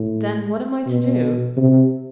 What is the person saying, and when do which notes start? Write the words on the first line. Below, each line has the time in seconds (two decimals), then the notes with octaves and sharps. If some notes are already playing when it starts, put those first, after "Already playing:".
"Then what am I to do?"
Already playing: A2
0.87 B2
1.57 C3